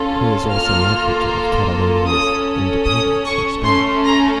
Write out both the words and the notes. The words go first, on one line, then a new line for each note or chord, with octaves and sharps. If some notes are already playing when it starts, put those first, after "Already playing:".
He is also an advocate of Catalonia's independence from Spain.
Already playing: C#4 F4 A4
A#3 F4 A4 F6
C#4 A4 D#6
D#6
C#6
A3 C#4 A4 C6
A#5